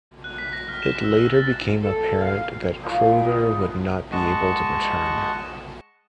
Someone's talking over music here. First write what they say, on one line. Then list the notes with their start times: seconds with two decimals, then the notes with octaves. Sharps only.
It later became apparent that Crowther would not be able to return.
0.24 F#6
0.38 B6
0.53 A#6
0.68 F6
0.82 E7
1.04 E6
1.34 A6
1.82 A4
2.20 F5
2.83 A#2 F3 D#4
3.11 G3 G#3
3.25 B3 D#5
4.12 G#3 D#5 F#5 A5 C#6